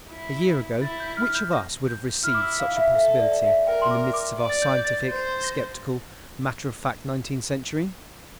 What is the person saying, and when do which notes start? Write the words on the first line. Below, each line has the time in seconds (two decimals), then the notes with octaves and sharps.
A year ago which of us would have received such a possibility, in the midst of our scientific, sceptical, matter-of-fact nineteenth century?
0.10 E4
0.82 E4 A6
1.00 G6
1.17 F6
1.35 G6
1.53 A#6
1.88 G6
2.24 E4 F6
2.34 D6
2.42 E6
2.60 F5
2.77 E5
2.95 A4 E5
3.20 D5
3.42 E5
3.66 A#4 G5
3.82 C6
3.91 D6
4.14 D6
4.38 D5
4.50 A6
4.62 G6
4.77 G6
4.85 A6
5.09 C5
5.44 A#6